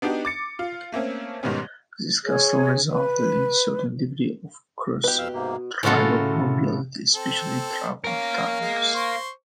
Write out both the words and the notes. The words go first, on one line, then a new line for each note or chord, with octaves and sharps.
This custom resulted in a certain degree of cross-tribal mobility, especially in troubled times.
B3 D4 D#4 F#4 G4
D6 A6 C#7
F4
A3 A#3 C4 C#4
G#2 B2 D#3 G3 B3 C#4
G#4 C#5
B4
B2 G4 B4
F2 F5 E6
G#2 C3 A#3
A2 C#3 F4 F#4 A4
C4 A4
C#4 A#4 F5
G#3
C5 C#6